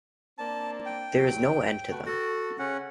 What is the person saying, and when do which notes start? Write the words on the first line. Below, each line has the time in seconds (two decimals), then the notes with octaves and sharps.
There is no end to them!
0.38 A#3 C4 D4 A5
0.86 G5
1.17 E2 F#3
1.91 A3 F#4 B4
2.05 F#4 A4
2.59 C#3 C#4 F#5